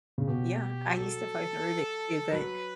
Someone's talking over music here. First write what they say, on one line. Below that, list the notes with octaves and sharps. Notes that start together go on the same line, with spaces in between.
Yeah, I used to play with Rubik too, but
C#3
B2 G4
F#3 A4
F#3 B4